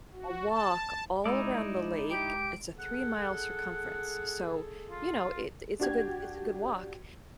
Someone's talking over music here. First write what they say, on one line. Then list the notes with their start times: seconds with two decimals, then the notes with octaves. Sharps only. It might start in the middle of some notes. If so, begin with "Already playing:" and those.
a walk all around the lake, it's a three-mile circumference, so you know, it it's a good it's a good walk,
0.13 F#4
0.49 A5
1.26 G#3 D#4 E4 D5
2.10 G4 D7
2.79 G#4 A4 F#5
4.90 F4
5.80 D4 F#4 G4 G#6